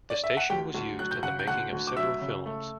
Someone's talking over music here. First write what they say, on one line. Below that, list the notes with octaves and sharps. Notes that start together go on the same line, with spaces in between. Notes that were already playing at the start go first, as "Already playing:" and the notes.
The station was used in the making of several films.
D5
E5
F#5
D2 G4 G5
D2
F#3 F#6
G6
C#3 F#5 F#6
G6
D2 F#5 F#6
D2
D6
F#3 E5 E6
C#3
A3